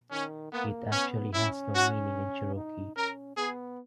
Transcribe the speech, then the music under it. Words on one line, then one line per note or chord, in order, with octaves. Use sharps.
It actually has no meaning in Cherokee.
D#3 C#4
A#3 B3
B3 C#4
C#4 E4
F#4
D#4
C#4 A#4
B3 G#4